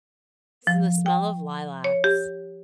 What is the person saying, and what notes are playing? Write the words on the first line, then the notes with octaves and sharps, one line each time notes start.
S in the smell of lilacs.
F3
G5
C#5
G4